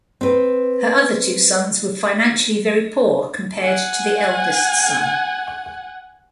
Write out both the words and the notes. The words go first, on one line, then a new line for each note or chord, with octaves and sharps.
Her other two sons were financially very poor compared to the eldest son.
C4 B4
F#5 G#5